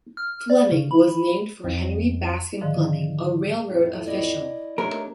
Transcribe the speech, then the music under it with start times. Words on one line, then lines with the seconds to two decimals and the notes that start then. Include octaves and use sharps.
Fleming was named for Henry Bascom Fleming, a railroad official.
0.17 F6
0.50 D5
0.72 C#3
0.91 B5
1.64 F2
2.61 G#2 D3 D#3 F3
3.70 F2 A2
4.06 E4 D5 D#5
4.78 A3 D4 D#4 G4 A#4 C#5